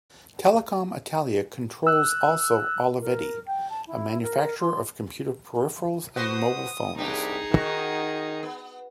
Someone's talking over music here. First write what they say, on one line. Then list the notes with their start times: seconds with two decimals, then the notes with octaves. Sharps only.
Telecom Italia controls also Olivetti, a manufacturer of computer peripherals and mobile phones.
1.87 E6 F#6
3.01 A#4
3.46 G5
3.69 A5
3.87 E4
4.23 A#4
4.60 C6
6.16 F#4 B4 C5 D#6
6.98 C2 B3 D4 D#4 G4 G#4
7.51 D#3 F#4
8.43 B3